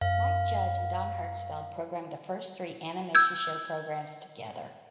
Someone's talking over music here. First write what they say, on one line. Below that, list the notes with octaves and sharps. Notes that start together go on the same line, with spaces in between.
Mike Judge and Don Hertzfeldt programmed the first three "Animation Show" programs together.
F#2 F5
E6 G6 G#6